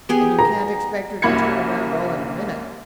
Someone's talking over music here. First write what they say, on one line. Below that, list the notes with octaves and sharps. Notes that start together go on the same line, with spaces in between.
And you can't expect her to turn round all in a minute.
B3 G4 G#4
A#5
C2 F#2 A#3 B5 G#6 C#7